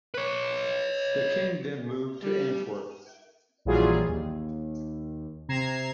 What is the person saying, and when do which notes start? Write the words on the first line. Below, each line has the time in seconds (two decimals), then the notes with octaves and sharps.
The King then moved to Antwerp.
0.14 B4 C#5
2.22 G3
3.65 A#1 E3 F#3 G3 F4 G#4
4.08 D#2
5.49 C3 A#5 G#6 C7 E7